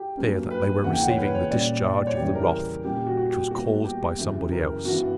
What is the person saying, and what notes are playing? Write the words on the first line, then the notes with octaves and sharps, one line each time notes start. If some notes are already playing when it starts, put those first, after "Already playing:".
It was clear that they were receiving the discharge of the wrath which was caused by somebody else.
Already playing: G4
G2 F#3 A#3 C#4
B4
E2 C#3 E3 A#3 C#4 F#5
G5
F#5
C#5
B4
C#5
A#2 G3 C#4 D5
D5
D5
C#5
E2 C#3 E3 G3 G4
A#4
A#2 G3 C#4 G4
G4
F#4
F#4
G4
B2 G3 A#3 F#4
G4
F#2 C#3 E3
A#4
G2 E3 B3 F#4